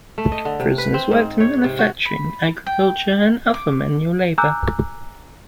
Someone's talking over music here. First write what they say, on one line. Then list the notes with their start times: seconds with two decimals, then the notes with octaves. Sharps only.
Prisoners worked in manufacturing, agriculture and other manual labor.
0.18 A3
0.32 D#5
0.45 D3
0.60 C3
0.78 B4
0.94 C4
1.11 G#2
1.40 C#5
1.64 C3
1.79 F#4
2.05 B5
2.66 G5
3.54 D6
4.38 G#5 A#5 D6 E6 F#6 G6